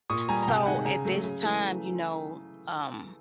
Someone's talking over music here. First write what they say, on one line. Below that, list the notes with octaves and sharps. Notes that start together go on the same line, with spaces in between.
So, at this time, you know, um,
A#2 C#6 D#6
G3 G#5 A#5
A#5
C3 G5 A5
D#3 G#3 F#5 G#5
C#3 G#5 A#5
F#3 A3
C#3
E3 A3